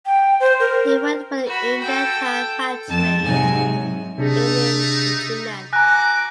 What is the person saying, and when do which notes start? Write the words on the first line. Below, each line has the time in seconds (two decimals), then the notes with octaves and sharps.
He worked for the India Tyre factory in Inchinnan.
0.06 G5
0.40 C5
0.60 A#4
1.46 F#4 B5
1.81 A4 G5
2.89 F2 A5
3.24 G#2 C3 F#3 G#5
4.18 C3 A3 D4 D#4 G#4
5.73 F#4 G#5 A#5 D6 F#6 A#6